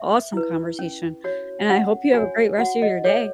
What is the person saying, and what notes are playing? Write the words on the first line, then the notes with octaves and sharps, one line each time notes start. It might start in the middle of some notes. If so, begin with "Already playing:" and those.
awesome conversation, and I hope you have a great rest of your day.
Already playing: E5
E4 B4
C#4
F#4 C#5
C#4 F#5
F#4 C#5 G#5
F#4 F#5
D#5
A4 C#5